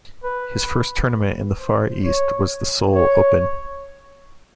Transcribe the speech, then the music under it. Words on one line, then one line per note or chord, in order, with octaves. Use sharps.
His first tournament in the Far East was the Seoul Open.
B4
C5
C#5
C#5